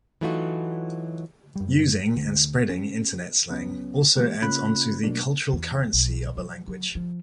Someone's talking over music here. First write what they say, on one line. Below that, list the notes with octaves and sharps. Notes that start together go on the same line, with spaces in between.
Using and spreading Internet slang also adds onto the cultural currency of a language.
E3 F#3 A3 D#4 F4 F#4
F#2 G3
D2 D3 A3
C#4
C#2 F#3 B3 C#4
E3 G#3 A#3 G4
C#3 A#3 C#4 F4 B5 F#6
B2 F#3 A3 A#3 D4
E2
B1
F#3
F#3
F3